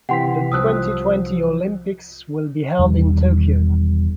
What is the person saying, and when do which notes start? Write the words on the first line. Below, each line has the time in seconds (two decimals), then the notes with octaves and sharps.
The twenty-twenty Olympics will be held in Tokyo.
0.09 C3 E3 F#5 G5 C6 B6
0.52 C2 F3 D#6 E6 F#6
2.79 E1 E2 D#3 G3